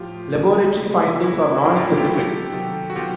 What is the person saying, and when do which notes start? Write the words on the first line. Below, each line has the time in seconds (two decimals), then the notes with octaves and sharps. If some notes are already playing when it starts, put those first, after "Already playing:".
Laboratory findings are nonspecific.
Already playing: A2 F3 F4 G4
0.34 B2 F#3
0.78 C3 E3
1.21 C#3 E3 E4 F#4
1.64 A2 F3 D4 E4
1.72 F#4
1.76 F4 G4
1.98 G4 A4
2.08 B2 F#3
2.52 C3 D#3 F#3
2.90 F#4
2.95 B2 F#3 F4 G4